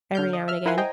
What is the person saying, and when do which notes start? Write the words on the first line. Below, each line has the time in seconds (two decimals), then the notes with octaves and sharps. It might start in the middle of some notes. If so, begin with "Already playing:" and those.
every now and again,
0.15 D3 F6 G6
0.33 D#5
0.48 E5 F6
0.66 E4 A#4 E5 F#5 G#5 C6
0.78 C5 D#5 G5 G#5 A#5